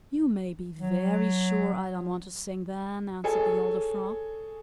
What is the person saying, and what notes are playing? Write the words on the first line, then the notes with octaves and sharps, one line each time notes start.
"You may be very sure I don't want to sing then," answered the older Frog.
F#3
G#4 A4 C#5 G#5